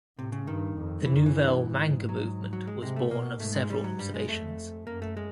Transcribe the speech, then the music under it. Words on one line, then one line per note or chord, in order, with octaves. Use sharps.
The Nouvelle Manga movement was born of several observations.
A2 C3
C#3
G2 D#3
F2
F#2 E3
D#3
E3
G2
G#2
F#3
F#3
G#3
C3 G#3
A3
B2 A#3
G#2 A3
G#3
G3
F#3
G2 G3
G#3
F2 A3
F#2 A#3
A3
G#3